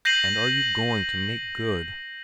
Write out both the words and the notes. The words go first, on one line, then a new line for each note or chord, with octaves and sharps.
And are you going to make good?
G6 A#6 C7 D#7 F#7